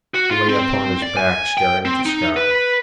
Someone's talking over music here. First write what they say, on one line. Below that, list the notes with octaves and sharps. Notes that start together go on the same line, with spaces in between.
He lay upon his back staring at the sky.
F#4
F4
C4
D5
G#5
G5
C4
D#4
B4